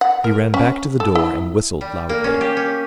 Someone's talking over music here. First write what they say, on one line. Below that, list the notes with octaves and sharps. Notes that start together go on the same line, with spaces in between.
He ran back to the door and whistled loudly.
F#5
A#4
C#4
A4
E4
G3
A#3
C#4
G4
C#4